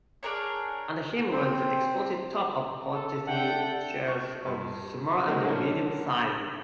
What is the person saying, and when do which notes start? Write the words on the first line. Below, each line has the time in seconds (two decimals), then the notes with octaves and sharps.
Under him were the exposed tops of pottery jars of small and medium sizes.
0.23 D4 G#4 A#4 C#5
1.32 C4
2.94 A4
3.27 D3 D4 E5 F#5 G5 A5
4.08 C#6
4.45 G2
5.27 G#3 A#3 C4 D#4 F#4
5.44 D3 F#3 A#3 C#4 D4 A#4